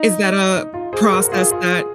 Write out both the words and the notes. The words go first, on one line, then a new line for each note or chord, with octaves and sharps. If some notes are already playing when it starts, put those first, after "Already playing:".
is that a process that
Already playing: D#4
D#4
F4
G#4 C5
F#4 A#4
A#4
F4 G#4
F4 G#4